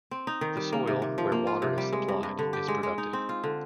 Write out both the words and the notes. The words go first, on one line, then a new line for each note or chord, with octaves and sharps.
The soil, where water is supplied, is productive.
C4
D#4
D#3
G3
A#3
C3
C3
F3
A#3
F4
C3
G3
G#3
G2
G2
D3
G4
G#3
G#3
D#4
C4
F4
D3